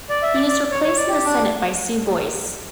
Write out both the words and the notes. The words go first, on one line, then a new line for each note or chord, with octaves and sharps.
He was replaced in the Senate by Sue Boyce.
D5
E5
D5
D5
C#5
C#5
D5
G4
D4